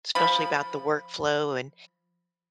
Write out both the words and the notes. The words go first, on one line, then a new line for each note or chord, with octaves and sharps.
especially about the work flow and
F3 B5